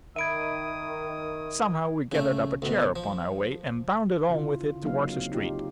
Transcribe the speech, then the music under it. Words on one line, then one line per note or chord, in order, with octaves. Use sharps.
Somehow we gathered up a chair upon our way, and bounded on with it towards the street.
D#3 E5 B5 D#6 G#6 D7 D#7
C#3 A3
D2 B2
F3
C#3 E4 F4
D3
C#3 F#3 A#3 D#4 F#4 F5
C4
D#4 F4 G4